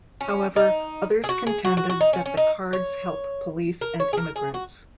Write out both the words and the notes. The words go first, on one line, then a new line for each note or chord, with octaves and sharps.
However, others contended that the cards help police and immigrants.
C#4
D#4
G#4
F#4
G#4
F#4
F#4
F#4
D#4
C#4
C#4
D#4
C#5
A#4
C#5
G#4
A#4
G#4
F#4